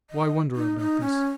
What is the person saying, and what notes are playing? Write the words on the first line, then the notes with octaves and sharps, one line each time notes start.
Why wonder about this?
D#5
D#4
D#4
C#4